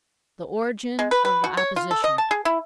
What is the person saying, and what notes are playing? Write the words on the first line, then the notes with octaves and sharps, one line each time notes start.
The Origin of the Opposition.
G#3
B4
B4
F#4
C#5
F4
A4
D#5
A5
G#4
E4